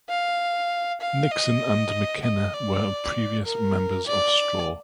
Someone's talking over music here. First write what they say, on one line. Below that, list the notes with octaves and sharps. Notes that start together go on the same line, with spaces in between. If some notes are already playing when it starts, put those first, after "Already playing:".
Nixon and McKinna were previous members of Straw.
F5
F5
D#5
D#5
D5
A#4
D5